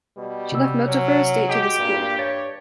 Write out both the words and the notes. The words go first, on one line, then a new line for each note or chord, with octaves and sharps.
She left most of her estate to the school.
B2 G3
C3 E6
F#3 C#4
G#3 F#4 G4
G2 A#2
C#5 A6